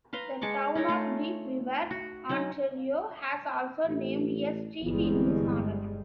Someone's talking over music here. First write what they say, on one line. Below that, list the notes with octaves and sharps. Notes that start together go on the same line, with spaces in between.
The town of Deep River, Ontario has also named a street in his honour.
B4 F5 A#5 C6
G#3 A5 C#6 D6
C#4 D#4 A#4 C#5
A3 F4
F#4
F#3 C#4 D#4
A1
G1 E2 G3 G#3